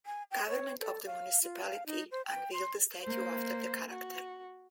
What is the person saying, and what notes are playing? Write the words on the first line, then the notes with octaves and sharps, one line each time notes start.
Government of the municipality unveiled a statue after the character.
G#5
G5
C#5
A4
F5
F4
F5
D#4
C5
G5
C6
A#3 C5
F#4